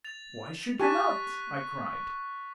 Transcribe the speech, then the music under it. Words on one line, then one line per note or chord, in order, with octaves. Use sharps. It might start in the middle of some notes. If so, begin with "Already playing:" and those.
"Why should you not?" I cried.
A6 F7
G4 G#5 A5 C#6 F#6 B6